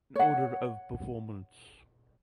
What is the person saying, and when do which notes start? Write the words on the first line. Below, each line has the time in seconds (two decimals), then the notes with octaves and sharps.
In order of performance.
0.15 C#5 F#5